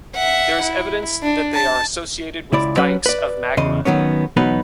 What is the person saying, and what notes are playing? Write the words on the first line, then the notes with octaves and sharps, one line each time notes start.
There is evidence that they are associated with dikes of magma.
E5 F#5
E4
D4
A5
C#2 E4 D5
F#3 C#4 B4
B4 D5
E2 C#3 D#5 C6
D#3 F#3 B3 C#4
E2 B2 F#3 B3 D#4 B4